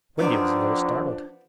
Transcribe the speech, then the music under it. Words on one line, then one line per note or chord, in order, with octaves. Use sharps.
Wendy was a little startled.
D3 D#3 F3 B3 C4 D4